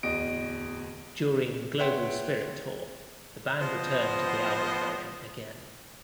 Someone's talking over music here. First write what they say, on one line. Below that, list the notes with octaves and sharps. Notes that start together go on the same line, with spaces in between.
During "Global Spirit Tour" the band returned to the album version again.
D1 E2 D#5 D7
B4 C#5 E5 F#5 G5 C6
F3 B3 C5 D#5